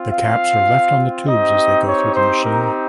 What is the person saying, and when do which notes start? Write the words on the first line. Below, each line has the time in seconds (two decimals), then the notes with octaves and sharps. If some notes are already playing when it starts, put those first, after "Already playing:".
The caps are left on the tubes as they go through the machine.
Already playing: C4 F4
0.11 F5
1.28 C4 D#4 G4 D#5
1.86 C#5
2.15 C5
2.44 A#4